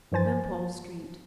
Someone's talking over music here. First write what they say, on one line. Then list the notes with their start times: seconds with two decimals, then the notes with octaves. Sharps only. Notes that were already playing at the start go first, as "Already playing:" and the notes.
Wimpole Street.
0.12 G2 E3 F3 C5 G#5 A6